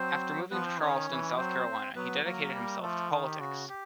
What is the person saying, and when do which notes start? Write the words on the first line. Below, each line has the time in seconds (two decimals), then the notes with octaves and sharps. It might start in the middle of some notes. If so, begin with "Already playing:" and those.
After moving to Charleston, South Carolina, he dedicated himself to politics.
Already playing: F#3 C4 C5
0.51 F3 B3 B4
0.65 C4 C5
0.80 D#3 C#4 C#5
1.09 E3
1.37 F#3 C4 C5
1.96 F#3 B3 B4
2.24 F#3 A#3 A#4
2.53 G3
2.82 F3 A3 A4
3.11 D#3
3.26 G4
3.40 C#3 F#4
3.69 G4